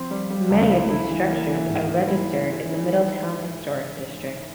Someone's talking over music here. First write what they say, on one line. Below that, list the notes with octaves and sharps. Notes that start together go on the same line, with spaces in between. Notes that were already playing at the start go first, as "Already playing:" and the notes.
Many of these structures are registered in the Middletown Historic District.
Already playing: F3 C4
G3
G3
C#2
E4
E4
E3
A#3
E3
G#2
A#3
E4